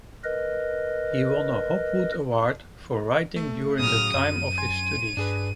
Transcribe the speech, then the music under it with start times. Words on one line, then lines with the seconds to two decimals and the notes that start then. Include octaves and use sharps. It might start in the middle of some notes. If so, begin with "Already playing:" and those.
He won a Hopwood Award for writing during the time of his studies.
0.24 A#4 B4 D#5
3.36 A3
3.79 A2 C#3 F#3 D#6 F6
4.15 F#2 D#7
4.58 G#5 C6 G#6
5.17 G2 D4 G#4 B4